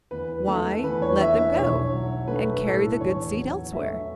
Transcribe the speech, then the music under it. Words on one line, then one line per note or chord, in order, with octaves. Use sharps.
Why, let them go and carry the good seed elsewhere.
E2 B4
A3 A4
E2 B4
C#5
E3 E5
B1 C#5
F#3
A3 B4
A2 A4
E2 C#5
F#3
A3 E5